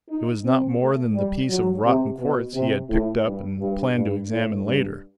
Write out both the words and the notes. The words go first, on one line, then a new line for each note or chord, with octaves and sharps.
It was not more than the piece of rotten quartz he had picked up and planned to examine later.
D#4
C4
A3
G3
F#3
C3
B2
C3
A2
G2
G2
G2
A2
G2